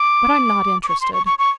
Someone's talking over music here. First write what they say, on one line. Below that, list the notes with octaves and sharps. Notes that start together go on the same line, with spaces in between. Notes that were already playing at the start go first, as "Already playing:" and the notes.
But I'm not interested.
Already playing: D6
D6
C#6
C6
C#6
C#6
C#6